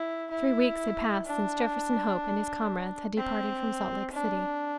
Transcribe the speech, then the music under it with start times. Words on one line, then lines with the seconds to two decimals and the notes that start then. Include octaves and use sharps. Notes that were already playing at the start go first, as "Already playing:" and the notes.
THREE weeks had passed since Jefferson Hope and his comrades had departed from Salt Lake City.
Already playing: E4
0.31 E4
1.27 D4
3.17 C4
4.13 D4